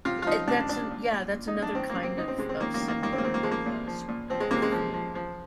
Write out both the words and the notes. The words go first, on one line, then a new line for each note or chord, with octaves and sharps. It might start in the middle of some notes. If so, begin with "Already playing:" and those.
Y that's a yeah, that's another kind of of similar, uh, s uh, food.
C3 F4
F4
F3 D#4
C3 D4
C3 D4
A#2
A#2
A#2
D#4
A#2
D4
D#3 C4
A#3
C3
C4
C3 D#4
C4
C3 G#3
C4
D#3 A#3
A#3
D#3
A#3
D#3 A#3
C4
A#3
D#3 C4
A#3
F3 G#3
A#3
A#2
F3
A#2
F3 C4
G#3
C3 A#3
G#3
F3
F3
F3